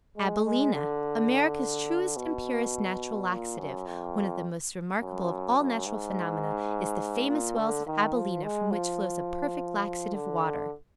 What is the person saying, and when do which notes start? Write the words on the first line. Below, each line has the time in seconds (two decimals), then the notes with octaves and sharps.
ABILENA America's Truest and Purest Natural Laxative. One of the most remarkable of all natural phenomena is the FAMOUS WELLS OF ABILENA from which flows a perfect laxative water.
0.16 G#3
0.45 G#3
0.73 D3
2.17 B2
3.30 A#2
3.59 F#2
3.87 F2
5.01 F#2
5.58 F#2
5.86 G#2
7.29 A#2
7.57 D3
7.87 D#3
8.14 F3
8.43 G#3
8.71 F3
10.14 D3